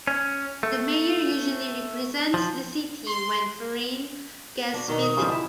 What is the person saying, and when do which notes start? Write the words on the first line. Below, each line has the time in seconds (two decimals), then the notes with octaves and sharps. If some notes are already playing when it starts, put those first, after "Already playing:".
The mayor usually represents the city when foreign guests visit.
0.07 C#4
0.63 A3
2.34 F3
3.07 C6
4.74 D4 F#4
4.88 B2 D#3 D#4
5.01 D#6
5.17 D2 C#3 F3 G4 C5
5.31 E4 A5